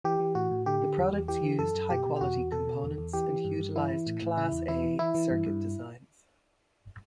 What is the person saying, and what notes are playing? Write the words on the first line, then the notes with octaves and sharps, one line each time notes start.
The products used high-quality components and utilized Class-A circuit designs.
E3 G4
E3
A2 F#4
A2
D3 G4
D3
E2
E2
E3 G4
E3
F#2 A4
F#2
B2 G4
B2
G4
E2 F#4
E2
B2 A4
B2
E2
E2
E3 G4
E3
G2
G2
E3 E4
E3
A2
A2
C#3 E4
E2
E2 E4
E3
E3 E4
E3
G2
G2